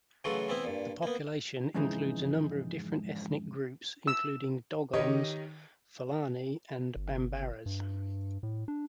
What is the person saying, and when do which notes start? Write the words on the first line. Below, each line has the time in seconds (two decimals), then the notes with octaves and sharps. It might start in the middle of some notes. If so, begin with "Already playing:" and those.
The population includes a number of different ethnic groups including Dogons, Fulani and Bambaras.
0.24 C#3 E3 F#3 A3 F4 F#4
0.49 E3 B3 C4 E4
0.64 G2 A#2
1.03 A#3 B3
1.74 F2 G#2 C#3 E3 G#3 D#4
4.07 E6
4.93 D#3 D#4 G4 C#5 D#5
6.96 G1
7.66 G2
8.43 A2
8.68 D4